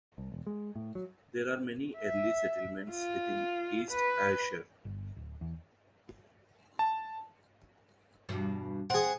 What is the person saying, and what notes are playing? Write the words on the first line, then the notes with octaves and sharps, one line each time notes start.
There are many early settlements within East Ayrshire.
C2
E1
G#3
A2
F#3
E5
F4
B4
G1
D1
E2
A5
E2 G2 B2
C4 G#4 F#5